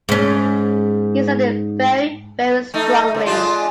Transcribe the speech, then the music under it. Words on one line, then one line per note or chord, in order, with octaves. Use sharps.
He said it very, very strongly.
G#2 C#4
A3 D#4
C#3
G#3 D4 F4